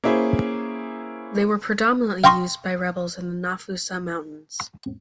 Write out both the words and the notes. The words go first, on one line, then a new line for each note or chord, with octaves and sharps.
They were predominantly used by rebels in the Nafusa Mountains.
A#3 C#4 E4 G#4 C5
F5 G5 A#5 C6 C#6 D#6